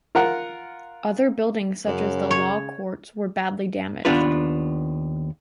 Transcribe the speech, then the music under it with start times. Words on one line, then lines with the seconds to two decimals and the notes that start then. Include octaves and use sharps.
Other buildings, such as the Law Courts, were badly damaged.
0.15 F4 A#4 F#5
1.87 F#2 C#3
2.31 C#5
4.05 D#2 B3 D4 F4 B4